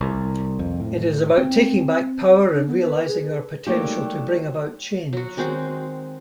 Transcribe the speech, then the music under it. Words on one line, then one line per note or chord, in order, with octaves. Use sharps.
It is about taking back power and realising our potential to bring about change.
C2
F2
A2
C4
D4
B3
B4
B4
G#4
F#3 G3 A3 A#3 D#4 G4
F#3 F#4
D#3 G#3 C4 F#4